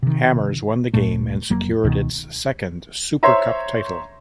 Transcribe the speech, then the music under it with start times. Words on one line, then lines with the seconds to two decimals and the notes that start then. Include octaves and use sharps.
Hammers won the game and secured its second Supercup title.
0.03 C3 D#3
0.94 D1 A#2 A3
1.50 F1 F#3 A#3
1.84 C#2 B2 D#3
3.23 C5 C#5 E5 A#5 C6